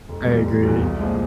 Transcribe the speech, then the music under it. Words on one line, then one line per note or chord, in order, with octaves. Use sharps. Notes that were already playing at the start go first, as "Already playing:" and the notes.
I agree.
F1
E2 B2 G3
F1
E2 B2 G3
C2
A#2 F3 G#3